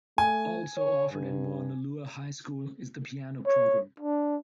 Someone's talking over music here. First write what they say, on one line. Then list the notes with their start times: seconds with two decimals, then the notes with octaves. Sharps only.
Also offered at Moanalua High School is the Piano program.
0.18 A3 G#5
0.77 C#5
1.13 G2
3.46 C#5
4.00 D4